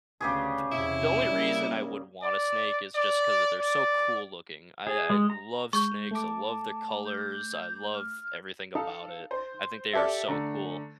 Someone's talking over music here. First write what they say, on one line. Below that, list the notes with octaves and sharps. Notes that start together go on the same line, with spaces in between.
th the only reason I would want a snake is just 'cause, uh, they're so cool looking, I I love snakes, I love their colors, I love everything about it, I think they are so cool,
D2 C#3 B3 G4 G#4
E2 C3 E4
G3 A#3
D5
D5
D5
G#4
G#3
A#5
G#3 C#6 G6
A3 A5 D6
G6
F6
D#4 A4 F5
C5
G4 A4 D5 E5
D3 A3 A#5